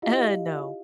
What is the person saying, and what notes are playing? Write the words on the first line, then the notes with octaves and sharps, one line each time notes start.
Eh, no.
E4 F4 G4 D#5 F5